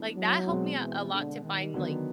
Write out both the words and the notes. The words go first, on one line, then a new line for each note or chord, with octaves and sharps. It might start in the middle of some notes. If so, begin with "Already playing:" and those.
like, that helped me out a lot to find, like,
Already playing: E3 G#3 B3 D4
F#3
B2 G#3 C4
E3
D3
D#3
D3 F#3 B3